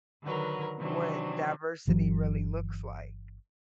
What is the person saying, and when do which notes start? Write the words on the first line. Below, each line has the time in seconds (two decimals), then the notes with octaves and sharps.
what diversity really looks like,
0.23 D3 D#3 F#3 A#4 B4
0.78 C3 D#3 E3 F#3 C4 D4
1.87 G1 E3 F#3